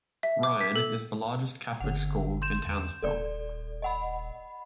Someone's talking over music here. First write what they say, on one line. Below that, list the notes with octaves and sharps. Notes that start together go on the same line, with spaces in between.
Ryan is the largest Catholic school in Townsville.
E5
D6
B6
A4
G1 D3 F#5
C6 G6 E7
E2
D#1 A4 D5
D#5 F#5 B5